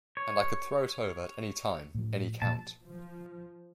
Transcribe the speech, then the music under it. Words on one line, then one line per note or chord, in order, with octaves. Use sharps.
And I could throw it over at any time, any count.
C#5
A2 F3
A#2 F3 A5
F3